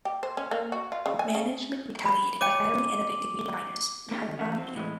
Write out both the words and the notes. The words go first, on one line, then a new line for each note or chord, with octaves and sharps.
Management retaliated by firing and evicting union miners and hiring non-union labour.
G4
C5
C#4
A#3
F#4
F4
C#3
G#5
C#3
B5
C#5 G5 D6 D#7
A#3 C#4 D#4 G4 G#4
D#3
A2 E3 C#4 A#4 E5 F#5
C4
A2 E3 G#3